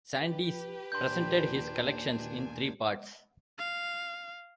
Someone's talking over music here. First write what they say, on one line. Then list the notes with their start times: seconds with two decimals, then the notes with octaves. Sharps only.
Sandys presented his collections in three parts.
0.16 G4 B4
0.92 D#2 A#2 D4 G#5 C6 G6
3.58 F5